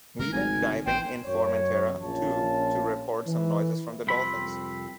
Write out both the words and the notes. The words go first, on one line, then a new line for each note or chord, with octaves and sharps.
We went diving in Formentera too to record some noises from the dolphins.
C#3 G#3 A3 A#4
G#1 G#5
A1 C5 G5
F#2 C#5
A#1 C#4 F4 A5
E3
C2 F2 C4 B5